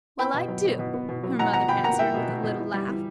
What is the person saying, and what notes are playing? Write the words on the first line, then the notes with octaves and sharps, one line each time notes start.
"Well I do!" her mother answered with a little laugh.
B3 G5 B5
B2
F#3
B2
B2
B3
B2
F#3
B2 F#5 A#5
B2 F#5 A#5
B2 G5 B5
A#3 F#5 A#5
A#3 E5 G5
B2
B2
B2
E3
G3
E3